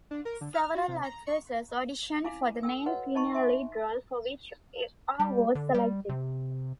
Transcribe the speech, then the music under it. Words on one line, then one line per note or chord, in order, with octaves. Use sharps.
Several actresses auditioned for the main female lead role for which Aw was selected.
D4
A#4
D3
F6
F#4
C3
A#5
C#6
E4 F5 G#5 D6
A4 G5 E6
F#4 B4 C#5 D#5 F#5
C#4 D#4 D#5 A5 B5 C#6
E5 G#5 C6
G3
D3
G3
C3